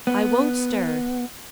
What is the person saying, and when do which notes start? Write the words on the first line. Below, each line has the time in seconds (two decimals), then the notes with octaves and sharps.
"I won't stir."
0.07 B3